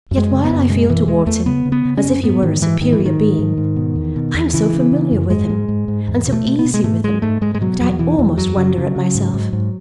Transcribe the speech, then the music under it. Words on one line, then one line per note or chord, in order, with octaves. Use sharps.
Yet while I feel towards him as if he were a superior being, I am so familiar with him and so easy with him that I almost wonder at myself.
F#2
G#3
C#3
B3
F#2
B2 G#3
B2 E3
E2 G#3
E2 A3
C#3 B3
C#3
B3
C#3
C#4
F#2
G#2 B3
G#2 D#3
G#2 E3
G#2 D#3
E3
G#2
D#3
G#2
G#2
G#2
B2
E2
B2
E2
C#3 E3
C#3
C#3
F#2
G#2 G#3
G#2
G#2
G#2
E2
B2
A3
B2
B3
B2
G#3
G#2 A3
G#2 G#3
G#2 A3
G#2 G#3
G#3
B2 F#3
E2 F#3
B2 E3
E2 E3
F#2 F#3
C#3
C#3
C#3
G#2
G#2
G#2